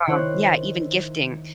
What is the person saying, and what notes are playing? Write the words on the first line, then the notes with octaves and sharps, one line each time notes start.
um yeah, even gifting,
D#3 E4 C5 C#5 F#6